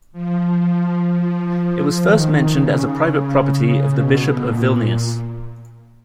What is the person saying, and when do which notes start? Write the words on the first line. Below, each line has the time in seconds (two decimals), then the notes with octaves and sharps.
It was first mentioned as a private property of the bishop of Vilnius.
0.12 F3
2.01 D#3
2.47 C#3
3.90 B2
4.36 A#2